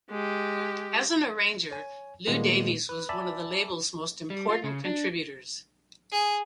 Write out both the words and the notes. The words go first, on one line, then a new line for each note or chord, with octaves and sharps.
As an arranger, Lew Davies was one of the label's most important contributors.
G#3 G4
C#5 G#5
A#2 D#3 G3 G#3 A#3 B3
B4
D5 E5 G#5 A5 B5
G3
F4
C#3
D4
G#4